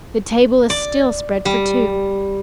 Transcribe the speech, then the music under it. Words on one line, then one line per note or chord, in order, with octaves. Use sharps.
The table is still spread for two.
D5
G3